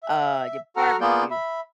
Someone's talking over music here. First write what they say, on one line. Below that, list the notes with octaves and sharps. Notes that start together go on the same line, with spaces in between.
uh, your barbecue.
E5
F#4 A4 F#5 A#5 F6
A#3 B3 F4 G#4 D5 G6
E5 B5